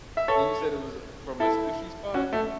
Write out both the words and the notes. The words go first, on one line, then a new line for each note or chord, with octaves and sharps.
And you said it was, uh, from a sushi spot?
E5
A4 C#5
E4 A4
C#4 F#4
A3